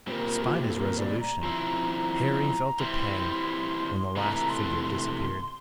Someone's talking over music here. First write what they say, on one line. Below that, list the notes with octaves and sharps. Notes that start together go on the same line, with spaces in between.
Despite his resolution Harry felt a pang when the last figure disappeared.
A#2 G3 C4 A#4 C5
F4
G4
A4
A#4
D5
A#5
F3 C4 E4 A#5
A#5
E3 G3 C4 E4 C6
C3 E3 A3 A#5
C6
C6